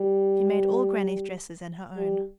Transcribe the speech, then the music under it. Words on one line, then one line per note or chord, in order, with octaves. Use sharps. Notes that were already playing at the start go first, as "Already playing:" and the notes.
She made all grannie's dresses and her own.
Already playing: G3
G3